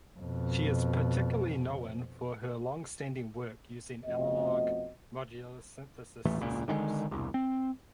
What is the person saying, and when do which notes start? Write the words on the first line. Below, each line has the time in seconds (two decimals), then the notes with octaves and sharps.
She is particularly known for her longstanding work using analog modular synthesis systems.
0.20 F2 B2
4.05 F2 B2 A3 D#5
6.25 D#1 A1 E3 A3
6.40 E1 C#2 A#2
6.68 D3 D#3 F#3 G#3
7.11 E1 C2
7.34 C4